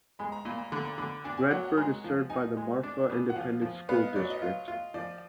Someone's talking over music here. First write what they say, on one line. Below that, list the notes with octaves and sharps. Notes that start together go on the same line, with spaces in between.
Redford is served by the Marfa Independent School District.
G#3 B5
A#5
A#2 B5
A#5
D3 B5
A#5
D3 B5
D4 G#5
G#5
F#3 F#5
F#5
G#3 A#5
F3
D#4 G#5
G#3
D4
B2
F#5
F3 F5
F3
B3 F5
D#5
F#3 D5
D#5
F4
F4
F3 D5